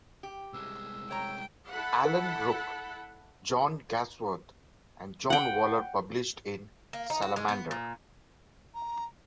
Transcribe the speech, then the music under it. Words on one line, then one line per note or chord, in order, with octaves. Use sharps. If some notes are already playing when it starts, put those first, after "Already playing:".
Alan Rook, John Gawsworth and John Waller published in "Salamander".
G4
C2 G#3 E6
C#5 G5 A#5
E4 A4 F#5 B5
F#5 G5
A#3
D#4
F#4
G#3
B3
A#2
A#5